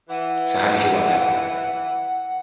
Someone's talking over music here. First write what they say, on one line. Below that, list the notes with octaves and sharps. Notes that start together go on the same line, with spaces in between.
So how do you feel about that now?
E3 F#5